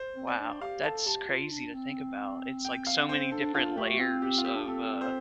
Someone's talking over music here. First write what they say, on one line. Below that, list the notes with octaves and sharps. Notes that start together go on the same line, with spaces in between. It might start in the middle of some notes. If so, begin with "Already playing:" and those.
Wow. That's crazy to think about. It's like so many different layers of, uh,
Already playing: C5
C4
D5
D4
G4 F5
A4 A5
G4 A5
F4
D4
C4
G5
F5
C5
D4 A4
D4 F4
A3 G4
C4 F4
G4
F4
G4
D4
C4 A4
C5